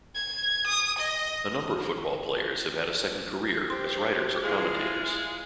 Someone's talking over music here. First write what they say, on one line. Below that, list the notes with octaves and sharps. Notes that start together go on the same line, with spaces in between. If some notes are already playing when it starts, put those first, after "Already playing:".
A number of football players have had a second career as writers or commentators.
G#6
D#6
D#5
G4 C5 C6
G#3 E4 F4 G#4 F5